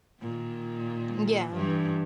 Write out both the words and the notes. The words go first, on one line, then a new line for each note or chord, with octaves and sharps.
M yeah,
A#2 D#3
G2 E3